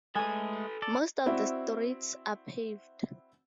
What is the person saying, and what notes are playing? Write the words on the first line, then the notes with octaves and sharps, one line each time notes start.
Most of the streets are paved.
G#3 A3 A4 B4 G#5 D#6
A4 D5
C4 E4 F#4 D5 E5